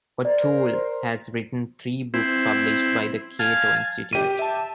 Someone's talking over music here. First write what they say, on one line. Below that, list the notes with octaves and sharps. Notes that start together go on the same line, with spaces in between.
O'Toole has written three books published by the Cato Institute.
A#4 C5 D5
C4 E4
F5 G#5 A5
G4 D#7
E5 A5